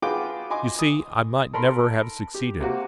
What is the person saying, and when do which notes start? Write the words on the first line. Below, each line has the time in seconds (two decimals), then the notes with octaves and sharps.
You see, I might never have succeeded.
0.02 F4 F#4 G#4 B4 G5 D6
0.50 D#5 G#5 C6 D6
0.79 D#6
1.53 A4 A#4 B5 C6
2.34 G4
2.60 C3 A#3 F#4